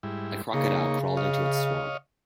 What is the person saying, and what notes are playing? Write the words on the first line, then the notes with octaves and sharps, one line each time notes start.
The Crocodile crawled into its swamp.
G#2 G3 E4
C#3 A#3 D#4 C#5
C#5 D#5 F5